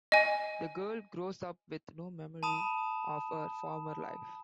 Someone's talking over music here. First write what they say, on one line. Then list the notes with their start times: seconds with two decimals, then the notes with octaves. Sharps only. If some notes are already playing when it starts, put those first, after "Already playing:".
The girl grows up with no memory of her former life.
0.12 D#5 G#5
2.43 A5 B5 D#6 E7